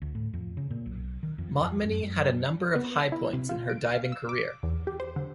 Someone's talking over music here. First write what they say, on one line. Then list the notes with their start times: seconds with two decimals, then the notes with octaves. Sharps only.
Montminy had a number of highpoints in her diving career.
0.02 D2
0.15 A2
0.34 F2
0.57 C#3
0.71 A#2
0.86 B1
1.23 D#3
1.38 F2
1.65 F2
1.84 F#2
2.03 F#2
2.75 B3
3.12 E4
3.33 C3
3.49 F4
3.70 D7
3.93 F5
4.12 E6
4.29 D6
4.63 E2
4.87 G4
5.00 C5
5.16 D3